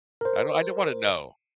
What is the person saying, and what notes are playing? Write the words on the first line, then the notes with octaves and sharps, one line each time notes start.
I don't I don't wanna know.
A#4 C5